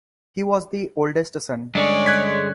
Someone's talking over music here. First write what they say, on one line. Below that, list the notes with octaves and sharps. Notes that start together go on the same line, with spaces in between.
He was the oldest son.
G2 D3 G#3 C#4 C#5 D5
F#6 G#6 B6